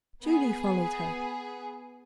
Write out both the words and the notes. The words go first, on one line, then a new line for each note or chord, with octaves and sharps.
Julie followed her.
B3 G#4